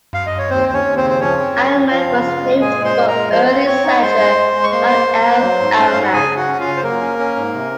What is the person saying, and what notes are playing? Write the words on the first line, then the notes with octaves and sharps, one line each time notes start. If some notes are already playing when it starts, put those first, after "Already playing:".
Alleman was named for early settler John L. Alleman.
F5
D#5
C#5
D#2 C4 C5
D#2 C5
C#4 C#5
D#2
C4 C5
C#3
C5
F3 C#4 C#5
C4
F#2
F3
F3 F4 F5
C#3
C#3
G#3
A#2 G#4 G#5
G#3
C5 C6
A#2
A#4 A#5
G#3
F3 C5 C6
C4
C4 C#5 C#6
D#4
G#3 C5 C6
G#3
G#3
G#3
C#6
A#3 C5 C6
A#3
A#3
A#3
F#3
G#2
C#4
G#2 F5
F#5
C#3 G#4 G#5
C#3
F#4 F#5
C#4
F4 F5
C#3
C5
F#3 A#3 A#4
C#4
C#4
G#2
C3